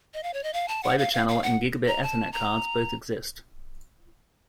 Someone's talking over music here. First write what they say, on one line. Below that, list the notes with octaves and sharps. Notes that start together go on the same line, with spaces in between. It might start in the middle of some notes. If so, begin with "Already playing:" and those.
Fibre channel and Gigabit Ethernet cards both exist.
D#5
F5
C#5
D#5
F5
A5
F#5
F5
F5
F5
F#5
A#5
A5
A#5